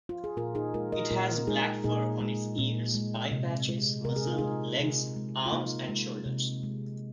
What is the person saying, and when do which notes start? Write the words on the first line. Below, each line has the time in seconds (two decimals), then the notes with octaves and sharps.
It has black fur on its ears, eye patches, muzzle, legs, arms and shoulders.
0.09 F4
0.24 G#4
0.37 A#2 F4 A#4
0.55 D#4 G#4
0.74 G#3 F4 A#4
0.92 A#4 D#5
1.11 A#2 F4 A#4
1.36 A#4
1.47 G#3 D#4 G#4
1.84 A#2 D#4 G#4
2.21 G#3
2.58 A#2
2.94 G#3
3.32 C3
3.68 G#3
4.05 C3 A#4
4.16 G#4
4.27 F4
4.38 G#3 D#4 G#4
4.79 C3
5.16 G#3
5.46 F4
5.52 C3 A#3 D#4
5.89 G#3
6.26 C3
6.63 G#3